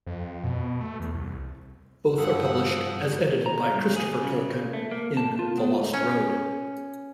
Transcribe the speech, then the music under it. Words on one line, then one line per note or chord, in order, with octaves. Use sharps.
Both are published, as edited by Christopher Tolkien, in "The Lost Road".
F2
B2
A3
E2
C2
G2 F3 F#5 D#6 E6
A#5
G2
G#4
C#3
A#2
A3
A#3
A5
F4
B3
C#4